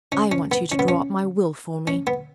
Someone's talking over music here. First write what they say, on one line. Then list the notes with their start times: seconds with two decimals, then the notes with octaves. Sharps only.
"I want you to draw up my will for me."
0.12 C#4
0.32 C#4
0.52 B3
0.72 C#4
0.79 B3
0.88 C#4
1.87 C#4
2.07 B3